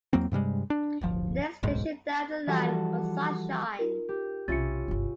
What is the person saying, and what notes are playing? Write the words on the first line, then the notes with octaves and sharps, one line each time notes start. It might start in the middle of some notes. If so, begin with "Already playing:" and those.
The next station down the line was Sunshine.
E2 F#3 A#3 C4
G2 C3 G3 G#3
D4
D1 G1 F3
D1 B1 G#2
E3 F3 G3 F#4 A4
D#4 F4 A#4
G4
B1 C3 C#4 E4 F4 A6 C#7
G1 C2